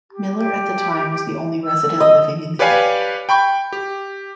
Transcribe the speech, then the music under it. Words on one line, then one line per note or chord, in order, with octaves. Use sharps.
Miller at the time was the only resident living in the area.
G4
G4
E6
D#5
G4 B4 C#5 D5 F5 G#5
G5 B5 C#6 G6
G4